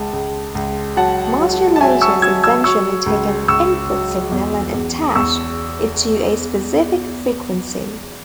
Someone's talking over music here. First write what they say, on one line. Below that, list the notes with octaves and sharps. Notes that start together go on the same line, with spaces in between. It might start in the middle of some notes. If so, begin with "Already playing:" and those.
Modulators essentially take an input signal and attach it to a specific frequency.
Already playing: C#2 G#3 A5
C#2
C#2
F#3 F#5 A5
F#3
A5
F#3 E5 G#5
C#6 E6
F#3 E6 G#6
E6 G#6
F#3 C#6 E6
C#2
C#2 C#6 E6
F#3
E2
E2
E2 C#6 E6